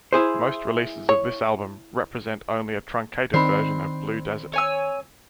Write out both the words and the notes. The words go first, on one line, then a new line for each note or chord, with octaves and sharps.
Most releases of this album represent only a truncated version of "Blue Desert".
E4 G#4 C5
C#5
D#3 C4 D4 B5 C7
C#5 G#5 E6